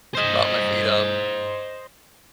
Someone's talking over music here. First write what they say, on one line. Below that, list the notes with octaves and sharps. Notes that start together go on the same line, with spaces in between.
prop my feet up,
C5 D#5